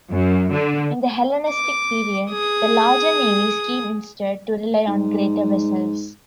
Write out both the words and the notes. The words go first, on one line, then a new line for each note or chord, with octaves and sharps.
In the Hellenistic period, the larger navies came instead to rely on greater vessels.
F#2
D3
D6
G#4 D#6
G#2